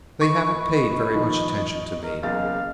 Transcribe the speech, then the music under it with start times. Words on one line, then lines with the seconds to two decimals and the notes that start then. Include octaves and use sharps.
They haven't paid very much attention to me.
0.21 B4 D#5 C#6
1.14 D#3 F3
2.03 A#4
2.23 F#1 E2 D#5 F5 A6